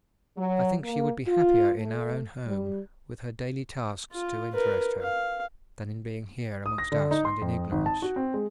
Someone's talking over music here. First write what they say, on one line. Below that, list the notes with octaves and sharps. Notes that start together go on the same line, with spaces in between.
I think she would be happier in our own home, with her daily tasks to interest her, than in being here amongst us and in ignorance.
F#3
A#3
F4
A3
G3
F4
A#4 B4
F5
D#6
A#6
D3
D#4
C6
F2
G#1
A5
F#4
C4
G#3